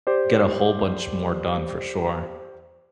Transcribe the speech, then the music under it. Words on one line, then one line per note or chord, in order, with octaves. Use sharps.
get a whole bunch more done for sure,
G4 C5 D5